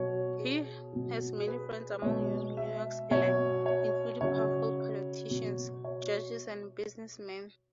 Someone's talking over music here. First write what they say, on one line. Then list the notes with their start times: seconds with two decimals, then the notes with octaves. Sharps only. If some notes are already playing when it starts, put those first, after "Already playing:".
He has many friends among New York's elite, including powerful politicians, judges, and businessmen.
Already playing: B2 F#3 C#5
0.39 G#4
0.93 B2 F#3
1.38 G#4
1.48 B4
2.02 B2 G#3 C#5
2.57 E5
3.11 B2 F#3 C#5
3.66 C#5
4.21 C#3 F#3 C#5
5.30 B2 F#3
5.85 C#5